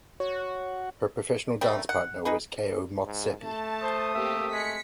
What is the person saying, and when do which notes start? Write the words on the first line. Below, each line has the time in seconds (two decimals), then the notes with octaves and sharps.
Her professional dance partner was Keo Motsepe.
0.20 F#4 C#5
1.61 G3 A3 A#3
1.89 F#5
2.25 D#4 G#4 B4
3.06 G#2
3.42 A3 A5
3.82 C5 D#6
4.15 A#3 C4 G4 E5
4.52 G#3 B6 C#7